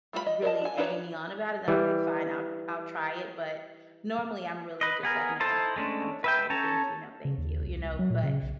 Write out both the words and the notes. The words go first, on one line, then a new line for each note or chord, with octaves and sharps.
really egging me on about it, then I'd be like, "Fine, I'll I'll try it." But, normally, I'm really just like, "No. I'm fine. Thank you, no, thank you." You know? But,
G3 A3 F4 F#4 B5
D#5
A#4 D5 D#5 A5
D4 G#5
D4 D#4 F#4 B4 C#5
E3 G3
B4 D#5
B3 G#4 A#4
D#4 E4 A4 C5 A5
G#3 A3 C#4 D4
B4 E5 G5
C#4 A4 C#5 A5 A#5
C#3
D#2
C2
C2
F#3
A#2
C#3
B1